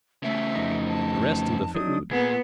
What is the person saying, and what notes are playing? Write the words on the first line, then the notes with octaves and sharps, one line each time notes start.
"The rest of the food?"
C#3 A3 E5
F2 D#4
A5
F#3 D4 D#4 D#6
A#2 B3 G#4 B4